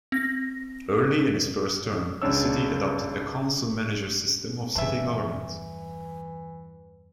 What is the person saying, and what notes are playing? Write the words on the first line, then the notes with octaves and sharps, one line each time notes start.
Early in his first term, the city adopted a council-manager system of city government.
C4 A#6
C#2 C#4 D4 C#5 E6
E2 G2 E3 D4 E5